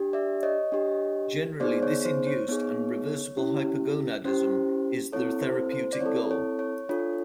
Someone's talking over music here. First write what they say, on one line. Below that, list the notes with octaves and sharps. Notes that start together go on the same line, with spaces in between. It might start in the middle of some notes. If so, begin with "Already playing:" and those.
Generally this induced and reversible hypogonadism is the therapeutic goal.
Already playing: D4 G4
D5 E5
C#5 D#5
D4 G4
B3 D#4 G#4 C5 D5
C#5
C5
C#5
B3 D#4 G#4 C#5
C#4 E4 G4
C#4 E4 G4 C5
C4 E4 A4 C#5
C5
C5
D5
C4 E4 A4 C#5
C#5
C#5
D4 F4 A4 C#5